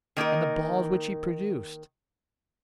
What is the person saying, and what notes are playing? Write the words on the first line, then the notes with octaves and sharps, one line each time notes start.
And the balls which he produced!
D#3 A#3 D#4 A#4